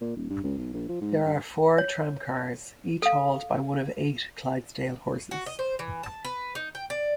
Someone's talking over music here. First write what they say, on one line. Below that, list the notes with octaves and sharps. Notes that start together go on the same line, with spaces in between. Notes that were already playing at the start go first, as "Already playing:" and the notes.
There are four tramcars, each hauled by one of eight Clydesdale horses.
A#2
D#1
G2
C#2
B1
A#1
F3
G#2
G2
C#5
A4 F5
F#4
D#5
C5
E3
A5
B4
D#4
G5
D5